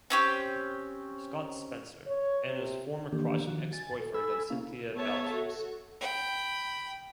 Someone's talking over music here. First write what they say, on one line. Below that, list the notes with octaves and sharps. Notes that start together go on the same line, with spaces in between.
Scott Spencer - Anna's former crush and ex-boyfriend of Cynthia Baltres.
C4 C#4 G4
C#5
C3
D#3 E3 A#3 D4 G4
D#3 F3 F#4
G#5 A6
A4
A4 G#5 B5 E6
A#3 C#4 E4 F5
B3 G#4 C#5 E5 A5
F#4 A4
G5 B5